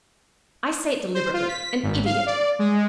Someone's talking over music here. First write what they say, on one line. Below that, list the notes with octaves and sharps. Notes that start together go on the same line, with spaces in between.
I say it deliberately--an idiot!
C5
F4
B6
G#1
F5
D5
G#3